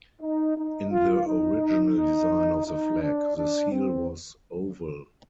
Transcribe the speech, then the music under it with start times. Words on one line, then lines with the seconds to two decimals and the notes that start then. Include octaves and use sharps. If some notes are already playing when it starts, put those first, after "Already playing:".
In the original design of the flag, the seal was oval.
0.21 D#4
0.56 D#4
0.91 F4
1.26 D#4
2.66 D#4
3.00 D4
3.36 D4
3.71 C4